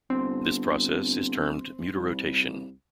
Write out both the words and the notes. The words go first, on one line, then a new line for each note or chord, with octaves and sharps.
This process is termed mutarotation.
G1 C4
C2